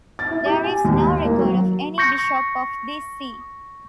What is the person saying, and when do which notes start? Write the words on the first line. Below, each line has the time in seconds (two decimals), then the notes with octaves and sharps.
There is no record of any bishop of this see.
0.19 A6
0.31 E4
0.46 G4
0.64 G#5
0.84 D#2
1.25 A#3
1.38 F#3
1.98 C#6 G6 A#6 C#7